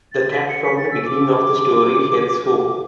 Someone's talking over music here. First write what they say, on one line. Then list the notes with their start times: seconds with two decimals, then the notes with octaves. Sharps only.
The cat from the beginning of the story heads home.
0.12 A6
0.31 B6
0.49 C#7
0.64 B6
0.77 A6
0.91 E6
1.05 D6